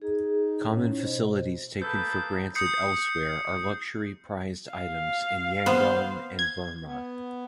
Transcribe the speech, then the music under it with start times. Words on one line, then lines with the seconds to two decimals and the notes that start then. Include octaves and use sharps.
Common facilities taken for granted elsewhere are luxury prized items in Yangon and Burma.
0.02 D#4 G#4
0.69 A2 C#4 D#4
0.99 B2 C5
1.82 A#3 G#4 A4 B4 G6
2.55 D#6 G6 C7 C#7
4.73 F5
5.66 B3 C5
6.39 G#6
6.85 B3